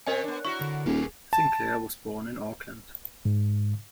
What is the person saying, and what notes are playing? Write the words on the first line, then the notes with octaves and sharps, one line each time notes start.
Sinclair was born in Auckland.
B2 C4 A#4 C#5 D#5 G#5
B3 D4
E4 F#4 A#4 C#6
D3
D#1 G4 G#4 A#4
A5
G#2